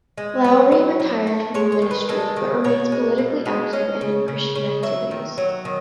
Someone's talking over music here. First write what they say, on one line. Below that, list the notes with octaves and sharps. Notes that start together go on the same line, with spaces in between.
Lowery retired from the ministry, but remains politically active and in Christian activities.
G#3
F#3 B4
F#3
F#3
A3
G#3 C#5
C#5
D#3
B4
G#3 A4
D#3
B2 C#5
G#3
B2
G#3
C#4 D#5
C#3
C#3
C#3
F#3 E5
D#3
F#3
D#3